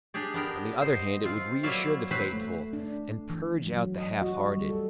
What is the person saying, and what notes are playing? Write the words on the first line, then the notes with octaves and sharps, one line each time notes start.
On the other hand, it would reassure the faithful; and purge out the half-hearted.
D4 G4 G#4 D5
B3 D4 A#4 G5
C5 D#5
C4 F4
F#3 A#3 E4 D5 E5 F5
F#3 C4 B4 C5
A3
D4
E3
F#3
D#5
F#4
G3
A4